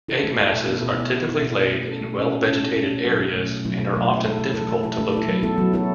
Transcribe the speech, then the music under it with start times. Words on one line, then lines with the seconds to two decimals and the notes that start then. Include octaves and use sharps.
Egg masses are typically laid in well-vegetated areas and are often difficult to locate.
0.09 E4 A4
0.23 A3
0.38 E4 A4
0.53 B2
0.68 B3 E4
0.83 B2
0.97 B3 E4
1.12 B2
1.27 B3 E4
1.42 B2
1.57 B3 E4
1.72 A3
1.86 C#4 A4
2.01 A3
2.16 C#4 A4
2.31 A3
2.46 C#4 A4
2.61 A3
2.75 C#4 A4
2.91 B2
3.06 F#3 A3 E4
3.20 B2
3.35 F#3 A3 E4
3.49 B2
3.65 F#3 A3 E4
3.79 B2
3.95 F#3 A3 E4
4.10 A3
4.24 E4 A4
4.39 A3
4.54 E4 A4
4.69 A3
4.83 E4 A4
4.99 A3
5.13 E4 A4
5.28 F#3
5.43 B3 E4 A4
5.58 F#3
5.72 B3 E4 A4